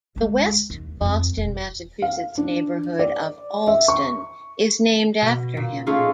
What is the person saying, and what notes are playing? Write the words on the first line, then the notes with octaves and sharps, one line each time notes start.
The west Boston, Massachusetts neighborhood of Allston is named after him.
D2 G#3
D#2
F2 C4
E1
F5
D4
D5
E5
C#6
B2
A#2
A3 C#4 D#4 F4 G#4 F5